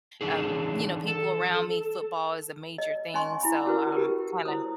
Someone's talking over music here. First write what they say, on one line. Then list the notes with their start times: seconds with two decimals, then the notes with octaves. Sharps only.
um, you know, people around me football is a major thing, so I'm kinda
0.21 E3 D4 D#4 G#4
1.08 A4
2.78 D#5
3.14 C#4 D#5 G#5 C6 C#6
3.43 E4 B5
3.66 C#4 F#4 A#4 B4
3.92 G4 A#4
4.45 E4 C5 D#6